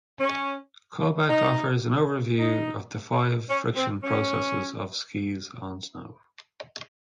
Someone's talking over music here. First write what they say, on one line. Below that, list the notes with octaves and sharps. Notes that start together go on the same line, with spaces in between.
Colbeck offers an overview of the five friction processes of skis on snow.
C#4
D#4
D#4
C#4
C4
C#4